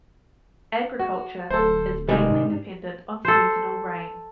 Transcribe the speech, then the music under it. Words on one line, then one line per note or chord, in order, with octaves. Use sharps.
Agriculture is mainly dependent on seasonal rain.
F#4
D1 A4 C5
C3 D#3 G3 G#3
G#2
A4 C5